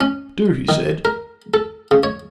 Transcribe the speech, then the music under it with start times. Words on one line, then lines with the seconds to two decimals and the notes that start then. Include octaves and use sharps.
"Do!" he said.
0.01 C#4
0.69 D#3
1.05 A#4
1.54 A4
1.91 C#3
2.03 C#5